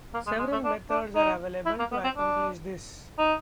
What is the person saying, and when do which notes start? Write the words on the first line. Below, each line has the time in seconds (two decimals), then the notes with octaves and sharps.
Several methods are available to accomplish this.
0.14 A#3
0.27 G#3
0.39 G#3
0.52 A3
0.65 D4
0.90 D4
1.15 D#4
1.66 E4
1.79 A#3
1.92 B3
2.04 C4
2.17 D4
3.18 D#4